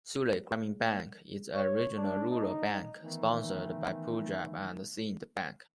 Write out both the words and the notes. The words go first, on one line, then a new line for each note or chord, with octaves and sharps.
Sutlej Gramin Bank is a Regional Rural Bank sponsored by Punjab and Sind Bank.
C#5
D4
D#4
D#3 E3 A3 B3 D#4